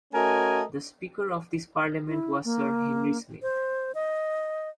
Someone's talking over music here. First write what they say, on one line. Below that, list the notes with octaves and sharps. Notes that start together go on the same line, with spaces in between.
The Speaker of this parliament was Sir Henry Smith.
A3 C#4 F#4 A#4 D#5 G#5
E4
A#3
C5
D#5